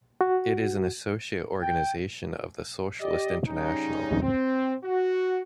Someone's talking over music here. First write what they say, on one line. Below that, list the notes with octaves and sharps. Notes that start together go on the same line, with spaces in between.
It is an associate organisation of the Socialist International.
F#4
G5
G4 D5 D#5
C#3 G3 C#4 D#4
C4
F#4